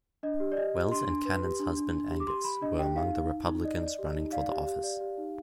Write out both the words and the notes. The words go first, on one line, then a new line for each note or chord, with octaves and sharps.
Wells and Cannon's husband Angus were among the Republicans running for the office.
D4 D#5
G4
D5
G4 D#5
G4
D4 C6
D4
B4
G4
D4
D4
D4
G4
D6
G4 C6
G4 B5
D4 D#5
G4 G5
D#4 F5
D#4
D#4
D#4
D5 D#5
D5
G4
D#4
D5 F5
G4
G4
D5
G4
D#4